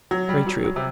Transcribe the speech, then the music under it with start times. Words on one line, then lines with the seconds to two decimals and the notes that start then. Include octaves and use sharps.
Very true.
0.11 F#3
0.29 G3
0.47 F#3
0.64 F#3
0.76 C3